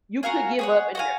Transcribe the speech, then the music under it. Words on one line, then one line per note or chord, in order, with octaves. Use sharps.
you could give up and, uh
F#4 A#4 F5 G#5
G#4 C#5 F#5
F#4 C5 F5 G#5